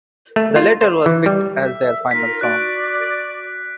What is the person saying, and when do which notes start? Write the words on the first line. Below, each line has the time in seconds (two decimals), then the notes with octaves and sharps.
The latter was picked as their final song.
0.36 A3
0.56 F4
0.81 C5
1.06 E3
1.26 G3
1.59 E5
2.11 D#4 F4 A#4 B6
2.41 F#4 D5 F#6 D7